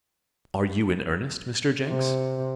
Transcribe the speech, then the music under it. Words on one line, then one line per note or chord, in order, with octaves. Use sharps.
"Are you in earnest, Mr. Jenks?"
C3